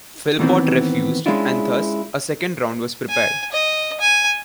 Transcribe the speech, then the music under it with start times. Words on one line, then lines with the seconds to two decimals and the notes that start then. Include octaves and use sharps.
Philpot refused and thus a second round was prepared.
0.39 A2 D#3 E3 G3 B3 C4
1.26 G#3 C#4 D4 E4 F4
3.09 G#5
3.52 D#5
4.00 G#5